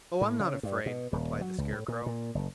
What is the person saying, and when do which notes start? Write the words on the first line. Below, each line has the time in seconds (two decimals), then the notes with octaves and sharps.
"Oh, I'm not afraid," replied the Scarecrow.
0.21 A2
0.40 C#3
0.63 G2
0.86 B2
1.13 D#1
1.41 F#3
1.58 C#2
1.72 A2
1.88 A#2
2.06 A#2
2.35 F#1